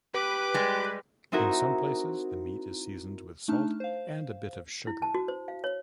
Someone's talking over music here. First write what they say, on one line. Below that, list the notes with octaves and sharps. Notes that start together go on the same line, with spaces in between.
In some places, the meat is seasoned with salt and a bit of sugar.
G4 B4 D6
G3 G#3
C4 D#4 E4 F#4 A#4
A3 D4 D#4 A5 F6
C5 F5
E4
A5
F#4
C5
F5
C#5